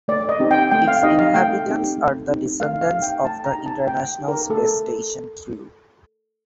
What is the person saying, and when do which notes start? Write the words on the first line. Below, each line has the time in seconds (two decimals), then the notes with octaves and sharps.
Its inhabitants are the descendants of the International Space Station crew.
0.08 A3 D5
0.29 D#5
0.40 C4 D#4 G4
0.51 G5
0.71 A3 G5
0.88 F5
1.03 C4 D#4 G4 D#5
1.19 F5
1.34 A3 G5
1.66 C4 D#4 G4
1.98 A3
2.29 C4 D#4 G4
2.60 A3 F5
2.81 F5
2.92 D#4 G4
3.02 G5
3.24 A3 A5
3.44 A#5
3.55 D#4 G4
3.66 A5
3.86 A3 G5
4.18 D#4 G4
4.28 A#4
4.50 A3 A4